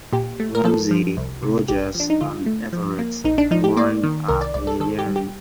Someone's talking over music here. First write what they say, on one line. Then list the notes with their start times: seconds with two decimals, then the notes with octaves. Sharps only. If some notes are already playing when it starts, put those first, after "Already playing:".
Ramsey, Rogers, and Everett Moran are engineering.
0.13 A#2 G4
0.40 A3
0.55 A#4
0.64 F3 A4
0.91 F3
1.17 C2
1.43 C3
1.68 A1 G4
1.95 F3
2.00 D4
2.10 D#4
2.21 D3 F4
2.46 A3
2.73 F3
2.99 A#3
3.24 A#1 D#4
3.38 D4
3.51 F3 D#4
3.64 G4
3.77 A#3 D5
4.03 D#3
4.28 C2 A#4
4.41 D5
4.54 C2 D5
4.67 A4
4.80 D#3 A4
4.99 G4
5.07 G3
5.16 G4